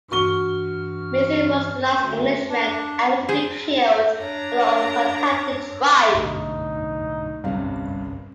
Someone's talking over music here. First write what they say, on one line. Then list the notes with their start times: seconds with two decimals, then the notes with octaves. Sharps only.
Mason was the last Englishman ever to be killed by an uncontacted tribe.
0.11 G2 E3 F#4 C#6 F6 G7
2.00 D2
2.50 D4
3.29 G#4 C5
4.19 D4 C#5 A#5
6.13 B1 A2 D3 D#4
7.44 G1 C2 G2 C3 C#4 F5